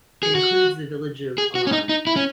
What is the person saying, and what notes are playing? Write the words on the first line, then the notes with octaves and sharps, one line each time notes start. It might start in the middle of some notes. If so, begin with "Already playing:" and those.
It includes the village of Ely.
G#4
F#4
G#4
F#4
C#4
D#4
D#4
E4
C#4